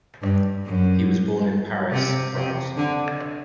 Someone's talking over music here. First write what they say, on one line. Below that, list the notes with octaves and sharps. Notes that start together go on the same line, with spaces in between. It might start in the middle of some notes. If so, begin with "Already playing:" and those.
He was born in Paris, France.
G2
F#2
C3
C3
D3